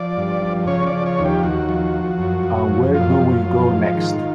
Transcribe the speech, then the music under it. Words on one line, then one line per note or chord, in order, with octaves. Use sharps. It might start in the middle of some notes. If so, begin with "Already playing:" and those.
And where do we go next?
Already playing: F3 D5
G2
F3
C#3 C#5
D5
F3
C#5
D#2
G4
D#2 F#4
F3
F3
F#2
F#2
F3
F#2 F4
F#2
F3
G#2
D#3